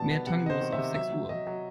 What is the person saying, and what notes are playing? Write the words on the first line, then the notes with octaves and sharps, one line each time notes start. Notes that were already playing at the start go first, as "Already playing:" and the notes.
Mehr Tangos auf sechs Uhr.
Already playing: B2 G3 B3 A5
B3
C3 F#5
C3 D#5
C5
D#3
E5
C3
F#3 E5
F#3
F#3 D#5
F#3